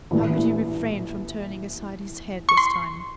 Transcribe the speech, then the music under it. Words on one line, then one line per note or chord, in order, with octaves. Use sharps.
How could he refrain from turning aside his head this time?
A#1 A2 E3 G3
C#6
C6